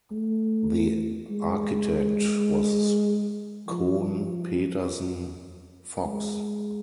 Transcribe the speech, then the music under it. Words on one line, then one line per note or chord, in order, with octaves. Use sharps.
The architect was Kohn Pedersen Fox.
A3
G#3
F3
G#3